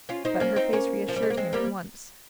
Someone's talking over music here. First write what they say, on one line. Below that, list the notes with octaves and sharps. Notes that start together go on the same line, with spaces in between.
But her face reassured him at once.
C#4 F4
C4 D#4
A#3 C#4
C4 D#4
A#3 C#4
F3
G3
G#3
A#3
G#3 C4
G3 A#3